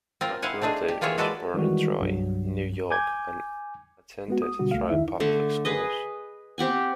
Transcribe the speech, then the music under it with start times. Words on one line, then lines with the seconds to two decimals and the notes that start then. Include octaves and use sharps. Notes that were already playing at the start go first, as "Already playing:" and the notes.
McNulty was born in Troy, New York and attended Troy public schools.
0.21 C4 F4 A#4
0.42 C4 E4 F5 F#5 G#5
0.62 A3 C4 D4 D#4 G#4
0.88 G4
1.01 E3 A#3 F4 G#4 C#5 E5
1.18 G#3 F#4 A4 B4 D5 E5
1.54 D#3 E3 G3 G#3 F#4
2.00 C2 G2 F#3
2.91 G#5 D6 G6 G#6
4.28 G#3 B3 F#4
4.42 D#6
4.59 B2 D3 G3 F#4
4.71 C#2 A3 F5
4.90 F2 D#3 D#4 E4 E5
5.20 D3 A3
5.65 G#4 B4 D#5
6.58 C4 G4 F#5 G#5